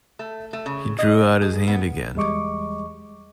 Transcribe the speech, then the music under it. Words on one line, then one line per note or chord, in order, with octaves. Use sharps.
He drew out his hand again.
A3
A3
C#3
D#5
G#4
B3
E2 G3 G#3 D#5 C#6 D6